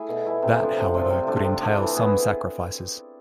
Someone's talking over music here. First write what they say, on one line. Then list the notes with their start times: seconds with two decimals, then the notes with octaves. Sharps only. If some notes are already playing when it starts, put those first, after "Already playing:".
That, however, could entail some sacrifices.
Already playing: A3 E4 G#4
0.09 B2
0.26 A3 E4 G#4
0.42 C3
0.60 F3 A3 D4
0.77 C3
0.94 F3 A3 D4
1.10 C3
1.27 F3 A3 D4
1.44 C3
1.60 F3 A3 D4
1.77 E3
1.94 B3 E4 G#4